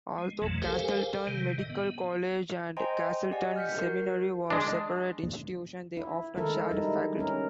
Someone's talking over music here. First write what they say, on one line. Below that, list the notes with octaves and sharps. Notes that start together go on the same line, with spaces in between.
Although Castleton Medical College and Castleton Seminary were separate institutions, they often shared faculty.
G#3
A#1 F2 B2 E3 F#3 A3
G4 A4 A#4 C5 F5 G#5
C3 D#3 G3
A2 D#5
B3
C5 D#5 G5 G#5 A#5 C6
G4 D5 D#5 F#5 G#5
F6 G6 B6 C#7
F#4 A#4
G#3 D4
E4
D#3 G#3 E4 A4 A#4
G3 G#3 D#4 E4
C#4 A#4